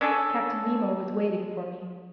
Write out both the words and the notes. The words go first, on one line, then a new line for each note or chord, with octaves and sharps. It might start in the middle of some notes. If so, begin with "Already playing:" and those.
Captain Nemo was waiting for me.
C#4 D4 G#4 A4